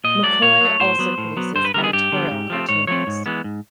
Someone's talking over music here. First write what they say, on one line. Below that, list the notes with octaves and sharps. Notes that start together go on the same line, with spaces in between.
McCoy also produces editorial cartoons.
A#2 D#5
F#3 A3 D5
A#2 C#5
F#3 A3
A2 C5
F#3 B3
A2
F#3 B3
G2 C5
B4
D3 G3 B3 A#4
G#4
G2 G4
D3 G3 B3
G#2
F3 A3 C4
G#2 C#5
F3 A3 C4 C#5
G#2
E3 G#3 B3
G#2